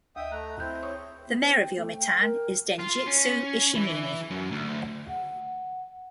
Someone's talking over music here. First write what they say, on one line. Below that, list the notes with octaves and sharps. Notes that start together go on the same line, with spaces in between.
The mayor of Yomitan is Denjitsu Ishimine.
D2 D#5 E5 G5 D#6
A3 A#5 F#6
C4 E4 G6
C#5 C#6 D#6
B3
C5
G5
A3
G5
A#4
F4
C#4
E3
F#2
D2
F#5